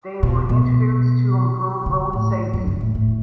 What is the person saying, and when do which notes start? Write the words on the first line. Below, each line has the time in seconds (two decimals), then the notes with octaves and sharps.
They were introduced to improve road safety.
0.23 B2
0.49 B2
1.86 C#3
2.13 A2
2.53 F#2
2.67 G2
2.81 A2
2.95 A2